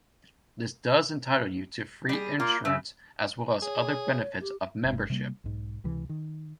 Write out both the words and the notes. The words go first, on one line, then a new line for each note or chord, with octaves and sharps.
This does entitle you to free insurance as well as other benefits of membership.
G3 G#4
A#3 F4
C#3 E5
G#4 C#5
G4
F#1 G#2
C3 G3 A#3
B1 G#2
C#2 C3 E3
D#3